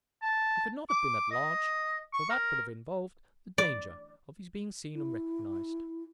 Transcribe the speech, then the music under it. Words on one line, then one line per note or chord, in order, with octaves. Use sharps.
He could not have been at large, for that would have involved the danger of his being seen and recognized.
A5
D6
D#5
C#6
A#4
D5
E4